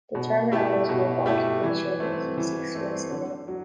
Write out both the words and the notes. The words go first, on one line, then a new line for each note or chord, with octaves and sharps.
The terminology of "occupation" is used exclusively.
B2
A3 E4 G4
B2
A3 E4 G4
E3
A3 C4
E3
A3 C4
D3
F#3